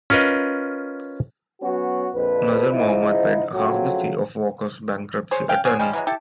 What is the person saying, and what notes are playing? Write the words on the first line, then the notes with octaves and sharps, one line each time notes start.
Nazr Mohammed paid half the fee of Walker's bankruptcy attorney.
C#4 F4 A#4 B4 D#5
F#3 B3 C#4 F#4
A#1 F2 B4
G#2 C#3 F3 D#4 E4
C#3 F3 F#3 A3 C4 C#4
G#4 C5 C#5
C#4 F5 G5
B3 G#4 C5 C#5
F3 G3 G#3 C#4
E3 F#3 G#3
E4 G4 A4 A5